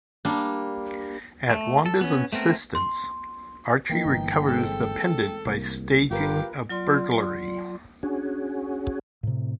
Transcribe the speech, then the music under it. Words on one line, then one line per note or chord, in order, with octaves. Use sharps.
At Wanda's insistence, Archie recovers the pendant by staging a burglary.
G3 A#3 D4
A3
A4
B3 C#4
A3 B3 C4 A#4
C6
E3 A#3 D#4 G5
G1
G#3 C4 A4
C2 A#3
G1 F4 G4 A#4 B4 F5
F#3 F4 D5 C6
C#4 D4 F#4 G#4
A2 C3